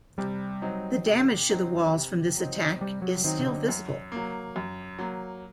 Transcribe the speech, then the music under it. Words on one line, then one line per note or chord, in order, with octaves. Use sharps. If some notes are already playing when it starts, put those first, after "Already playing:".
The damage to the walls from this attack is still visible.
C3 G3
F#3 C4 D#4
C3
F#3 C4 D#4
C3
F#3 C4 D#4
C3 G3
F#3
D#3 F#3 C4 D#4
C3
D3
F#2
F#3 A#3
F#2
F#3 A#3